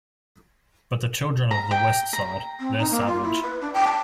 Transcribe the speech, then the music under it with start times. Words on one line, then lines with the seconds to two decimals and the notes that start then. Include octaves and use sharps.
But the children of the West Side - they're savage.
1.51 A#5
1.71 G5
2.13 A#5
2.60 C4
2.78 D#4
2.91 A#3
3.07 F4
3.23 E4
3.43 B4
3.61 D4
3.74 G5
3.87 A5